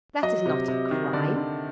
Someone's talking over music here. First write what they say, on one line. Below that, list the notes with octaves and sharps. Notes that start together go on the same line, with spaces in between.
That is not a crime.
F#3 D#5
C3
C3
D#3
D3 D5
D3